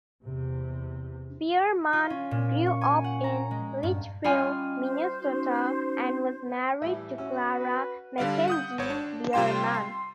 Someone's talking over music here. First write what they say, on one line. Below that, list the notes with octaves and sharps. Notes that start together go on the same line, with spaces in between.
Bierman grew up in Litchfield, Minnesota and was married to Clara McKenzie Bierman.
E2 C3
F4
C#4
A#2
C#6
G#5
F#5
A#5
G#3
G2
G3 C#4 F4 D#5 G5 G#5
C5
C#4 D#4 F#4
A2 E3 G3 E5
C#4 F#4 E6
B4
D3 G3 D5 F5
F#5 D#6 G6
G#1 C#5
D4
C3 G3 F4 G5 C6 E7
C6